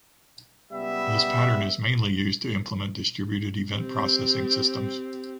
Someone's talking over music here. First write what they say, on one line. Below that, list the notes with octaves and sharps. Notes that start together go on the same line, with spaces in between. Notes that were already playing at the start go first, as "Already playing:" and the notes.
This pattern is mainly used to implement distributed event processing systems.
C#2 G3 B3 E5
C4 G4